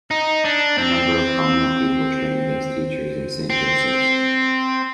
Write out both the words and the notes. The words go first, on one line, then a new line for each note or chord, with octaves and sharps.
A number of prominent people trained as teachers in Saint Joseph's.
D#4
D4
C4
C4